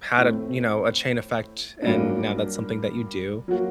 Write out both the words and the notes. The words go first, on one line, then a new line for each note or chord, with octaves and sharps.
had a, you know, a chain effect, and now that's something that you do,
A2 A3 C4
G2 F#3 A#3 D4
F#3 A#3 F#4